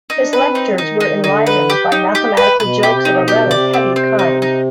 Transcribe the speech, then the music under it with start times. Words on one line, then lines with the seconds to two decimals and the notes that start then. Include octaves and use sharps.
His lectures were enlivened by mathematical jokes of a rather heavy kind.
0.10 D#4
0.17 D4
0.33 B4
0.48 C4
0.55 D#4
0.78 D#3 D#4
1.00 D#4
1.24 D3 D#4
1.47 B4
1.70 G4
1.92 D#4
2.15 G4
2.37 B4
2.60 B2 B4
2.83 G4
2.91 C3
3.05 D#4
3.20 B2
3.28 G4
3.44 D3
3.51 C3 D5
3.73 C4
3.96 C4
4.19 D#4
4.42 D#4